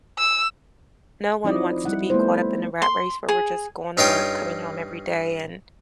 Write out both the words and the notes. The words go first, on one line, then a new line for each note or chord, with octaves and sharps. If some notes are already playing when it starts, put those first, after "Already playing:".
No one wants to be caught up in a rat race where we're just going to work, coming home every day, and,
E6
F3 C4 D#4 E4 D5 D#5
G3 E4 F#5
A3 B3 E4 C5
C6
G#4
G2 C#4 D#4 F4 G5 D#6